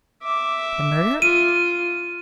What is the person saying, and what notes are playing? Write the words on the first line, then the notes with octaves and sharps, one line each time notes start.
"The murder?"
E5 D6
F4 D#7